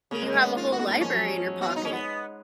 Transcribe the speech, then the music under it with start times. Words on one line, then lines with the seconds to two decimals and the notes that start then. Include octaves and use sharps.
Do you have a whole library in your pocket?
0.11 C#3 A#3
0.22 G#3
0.26 C#3
0.33 G#3
0.41 B3 C#4
0.56 D#4 F4
0.67 B3 F#4
0.78 A#3 F#4
0.86 G#3 F4
1.01 F3 C#4
1.13 F#3
1.24 G#3
1.36 F#3
1.47 F#3
1.59 B3 F#4
1.69 F4
1.76 D#4
1.81 G#3 C#4
1.92 B3